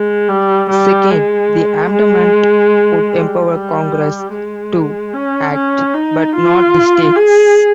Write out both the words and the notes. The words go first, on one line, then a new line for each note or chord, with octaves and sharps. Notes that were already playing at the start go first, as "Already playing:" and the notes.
Second, the amendment would empower "Congress" to act, but not the states.
Already playing: G#3
G3
G3
G#3
G#3
G3
G3
G#3
C#4
C#4
D#4
F4
G#4